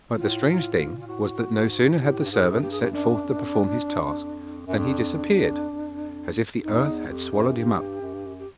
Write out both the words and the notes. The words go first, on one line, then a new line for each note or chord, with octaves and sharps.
But the strange thing was that no sooner had the servant set forth to perform his task than he disappeared, as if the earth had swallowed him up.
A2 F4
A2
G#2
A#2 F4
A2 F#4
G#2
A#2
A2 G4
G2
G#2 G#4
F#2
G2 G4
G#4
G4
F#2 D4
F2
F#2
F2
F2
F#2
F2 D4
F2
E2
F2
F2
F2 D#4
E2
F2 G4
F#2
G2
F#2
G2
F#2
G4